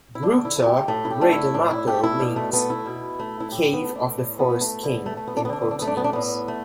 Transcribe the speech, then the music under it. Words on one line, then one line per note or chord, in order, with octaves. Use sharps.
Gruta Rei do Mato means "Cave of the Forest King" in Portuguese.
E4
D3 D4
E4
A3
G4
A2 A3
E4
G4
A3 D4
E4
A2 D4
E4
A3 G4
E4
B2 D4
A3
A3 B3
E4
B2
A3
E4
A2 G4
B3
A3
D4
A2
B3
A3
A3
D3 B3
A3
A3
B3
D4
B3
D3 D4
B3
D4
A3 B3
D4
B3
D4
A2 B3
A3